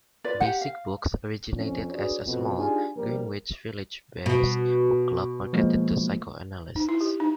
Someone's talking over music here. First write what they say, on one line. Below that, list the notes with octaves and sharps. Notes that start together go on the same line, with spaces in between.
Basic Books originated as a small, Greenwich Village-based book club marketed to psychoanalysts.
F4 B4 D5
G4 F#5
F5
F2 C#4
D4 F#4 G#4 B4 C#5 D5
F2 B2
D4 D#4 F4 G4 G#4 G#5
A#1 G3 A#4
B2
F3 G#3 A#3
D#4
E4
G4
D#4